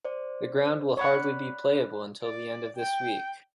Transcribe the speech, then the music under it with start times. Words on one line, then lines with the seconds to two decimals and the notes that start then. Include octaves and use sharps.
The ground will hardly be playable until the end of this week.
0.05 C5 D5
0.97 C#5 D5 F#5 B5 F#6
2.22 D5
2.76 G5